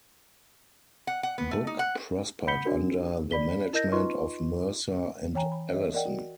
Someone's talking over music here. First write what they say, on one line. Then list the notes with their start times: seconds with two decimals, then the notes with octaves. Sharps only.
Book prospered under the management of Mercer and Allison.
1.07 F#5
1.23 F#5
1.38 B3
1.51 A3
1.67 D#4
1.79 F#5
2.47 F#5 B5 G6 B6 C#7 G7
2.65 D4 F#4 A#4
3.31 D5 B5 B6 G7
3.73 E4 A#4 D#5 G6 A#6
3.92 D#4 F4 B4 D#5 C6 C#6
5.35 E3 C#5 G5 G#5 A#5
5.52 B5
5.73 C#5 D#5 E5
5.94 A#4 D5 D#5 F#5 G5
6.06 F#4